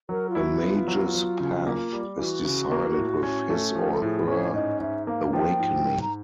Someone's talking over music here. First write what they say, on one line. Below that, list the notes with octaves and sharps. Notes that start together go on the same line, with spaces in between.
A Mage's Path is decided with his or her awakening.
F#3 A#4
F4
E4 F#4
B3 F4
F#3
F#3
C#3
A#3
G3
E3 F#4
C#3
A#3
A2
C#4
A3
F#4
F3 G4
A4
A2 G#4
C#4 C#5
G#2 D#5
G#2 E5
A#3 F5
F3 G5
G#2
G#2
A#5